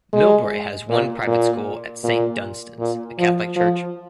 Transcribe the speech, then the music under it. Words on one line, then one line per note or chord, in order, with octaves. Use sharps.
Millbrae has one private school at Saint Dunstan's, a Catholic church.
G#3
A#2
A#2
A#2
A#2
F3
F3